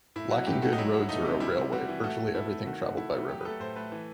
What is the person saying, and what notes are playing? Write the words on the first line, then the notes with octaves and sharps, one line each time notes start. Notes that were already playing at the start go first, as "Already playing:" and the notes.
Lacking good roads or a railway, virtually everything traveled by river.
A2 E4
F#3 F#4
A2 G4
A3 F#4
D#4
F#3 E4
F#3
A3 D#4
C3
G3 E4
C3
G3 F#4
E3
A3 F#4
A3
A3 E4
A3
D#3 F#4
A3 F#4
A3 E4
A3 F#4
F#3 G4
B4
A3 A4
A2 C5
A3 B4
E3